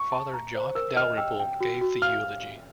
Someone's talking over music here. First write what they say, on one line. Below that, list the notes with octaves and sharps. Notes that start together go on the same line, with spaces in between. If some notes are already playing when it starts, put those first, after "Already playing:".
Father Jock Dalrymple gave the eulogy.
Already playing: C#6
A5
A#5
C5
A#4 E6
D#5 F6
G5 E6
G5
F#4
F#4
F5 F6